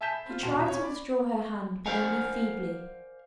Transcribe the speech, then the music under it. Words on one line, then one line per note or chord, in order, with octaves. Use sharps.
She tried to withdraw her hand, but only feebly.
E5 G#5 A5 G6 B6 E7
B5
C4 F4
D#1 B2 F#4 G5 A5 C6
C#4 C#5
D5 B5
A#4 C5 D5 F5 F#5 G#5